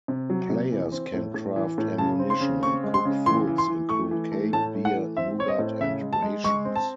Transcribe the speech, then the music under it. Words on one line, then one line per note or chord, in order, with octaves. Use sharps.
Players can craft ammunition and cook foods include cake, beer, nougat and rations.
C3
F#3
C3
E3
C4
A2
A2
E3
A2
C#3 A5
C4
C6
C#3
C4 C#6
G#3
C6
C#3
E3 C6
E3
C6
E3
A3 C#6
E3
A3
A2 A5
A3
F#5
E3
C4 E5
C4 C#5
D#5
A2
C#3 E5
G#3
A5
G#3
G#3 C#6
C4
A5